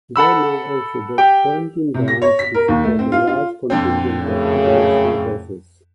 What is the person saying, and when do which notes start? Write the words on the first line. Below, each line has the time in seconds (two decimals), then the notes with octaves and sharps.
Del Mar also built quarantine barns to support the large contingent of international horses.
0.16 A4 F#5 B5 E6
1.18 G4 G5
1.94 C3
2.08 A#6
2.22 C#5
2.39 B6
2.54 A#4
2.68 D#2
2.84 A3
2.99 C4
3.12 F4
3.27 F4
3.70 F2 D3 C4
4.21 F#2 A2 C#3